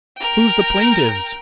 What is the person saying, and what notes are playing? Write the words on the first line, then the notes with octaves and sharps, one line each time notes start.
'Who's the plaintives?
A#4 G5